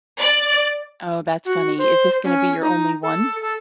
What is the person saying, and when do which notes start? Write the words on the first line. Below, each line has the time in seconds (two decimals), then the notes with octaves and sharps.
Oh, that's funny. Is this gonna be your only one?
0.19 D5
1.45 F#4
1.78 C5
2.24 C#4
2.61 D#4
3.02 A4
3.41 A4